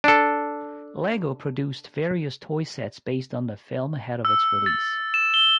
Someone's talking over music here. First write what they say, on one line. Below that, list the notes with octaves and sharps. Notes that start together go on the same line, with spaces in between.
Lego produced various toy sets based on the film ahead of its release.
D4 A4
E6
A6
E7
G7